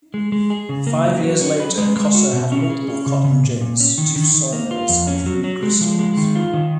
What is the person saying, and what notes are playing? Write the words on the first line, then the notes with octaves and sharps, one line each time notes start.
Five years later, Kosse had multiple cotton gins, two sawmills, and three gristmills.
G#3
G#3
G#4
C#3
A#3
F#3
F#3
C#4
B4
G#3
G#3
F#4
B2
C#4
G#4
C#4
C#3
C#3
A#2
A#2
C#4
D#3
D#3
D#3
A#3
F4
F2
C#4
F#3
F#3
G#3
F3
G#3
D#3
F4
D#3